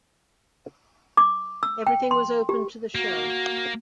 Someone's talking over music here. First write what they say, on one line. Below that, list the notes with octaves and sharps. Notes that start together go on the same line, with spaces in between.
Everything was open to the show.
D6
E6
G5
C6
G4
A#3 F#4